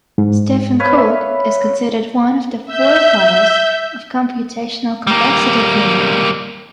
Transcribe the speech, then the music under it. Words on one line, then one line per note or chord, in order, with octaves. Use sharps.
Stephen Cook is considered one of the forefathers of computational complexity theory.
G#2
B4 C#5 F5
E5 B5
E5 G6
G3 A#3